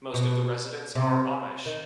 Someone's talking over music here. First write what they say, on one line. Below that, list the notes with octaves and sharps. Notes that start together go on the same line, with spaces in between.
Most of the residents are Amish.
B2
C3
D#3